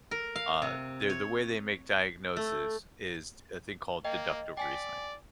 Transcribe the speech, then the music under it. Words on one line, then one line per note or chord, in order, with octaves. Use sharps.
uh, they're the way they make diagnosis is a thing called deductive reasoning.
A#4
F5
C3
C#5
A3
A#3 D#5 G5
D5 G5 G#5 B6